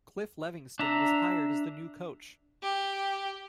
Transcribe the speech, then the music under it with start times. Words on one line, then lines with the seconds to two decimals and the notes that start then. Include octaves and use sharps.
Cliff Levingston was hired as the new coach.
0.79 D4 E5 A#5
2.63 G4